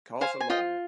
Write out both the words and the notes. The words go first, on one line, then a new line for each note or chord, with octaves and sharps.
Cars are long.
C5 F5 G#5
G#5
F4 D#5 G5